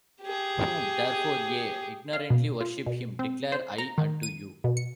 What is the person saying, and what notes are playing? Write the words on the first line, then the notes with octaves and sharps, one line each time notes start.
Whom therefore ye ignorantly worship, him declare I unto you.
G4 G#4
F5
B2
F4
B2
C4
C5
A#5
D#3
D#7
B2
C#7